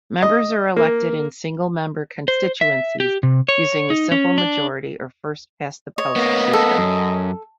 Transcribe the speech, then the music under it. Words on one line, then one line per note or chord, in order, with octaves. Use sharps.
Members are elected in single-member constituencies using the simple majority, or First-past-the-post system.
D#5
A#3
C5
E5
G4
C3
C#5
D#4
C#4
D4
C#5 D#5
A#3 B3
A4
F#2